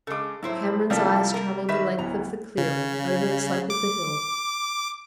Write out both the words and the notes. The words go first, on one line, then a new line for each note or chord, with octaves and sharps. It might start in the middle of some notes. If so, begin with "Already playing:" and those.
Cameron's eyes travelled the length of the clearing, over the slope of the hill.
C#3 G#3 A4 D6
A2 F#3 E4 C5
C3 F3 G3 A#3 E4 A4
A#4
D#3 B4 E5 B5 B6 E7
D1 E3 B3 A#5
C#3
D6